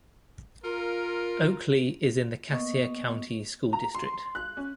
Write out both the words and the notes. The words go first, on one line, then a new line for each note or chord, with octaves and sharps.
Oakley is in the Cassia County School District.
F4 A#4
A#3 B3 D#5 C#6
A#5
C6
F#6
C#4